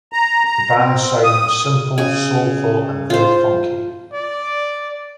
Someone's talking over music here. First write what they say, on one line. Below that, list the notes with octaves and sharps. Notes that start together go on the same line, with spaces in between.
The band's sound was simple, soulful and very funky.
A#5
A#5
C4
D#6
C#3 G#5
F4 C5
D5